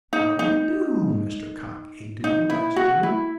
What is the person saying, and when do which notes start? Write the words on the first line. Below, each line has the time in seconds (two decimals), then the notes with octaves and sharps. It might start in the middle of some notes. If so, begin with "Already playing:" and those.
"How do you do, Mr. Cock A. Doodle?" asked Jimmie.
0.13 D#4
0.39 D#4
2.24 D#4
2.50 E4
2.76 F#4
3.03 E4